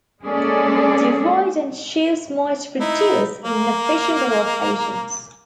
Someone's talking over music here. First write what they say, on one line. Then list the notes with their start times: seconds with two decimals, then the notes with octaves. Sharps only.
Divide-and-choose might produce inefficient allocations.
0.24 G#3 A#3 C#4 G#4 A4 D5
2.81 D#4 E4
3.45 A#3 A#5